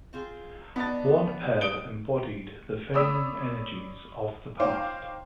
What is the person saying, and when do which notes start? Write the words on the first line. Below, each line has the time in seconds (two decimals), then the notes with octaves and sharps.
One pair embodied the failing energies of the past.
0.13 C4 F4 G#4
0.76 B3 D4 D#4 A6
1.61 D#6 D7 G7
2.94 C#5 D5 B5 D#6 E6 B6
4.60 D#4 C5 C#5 F5 G5 D6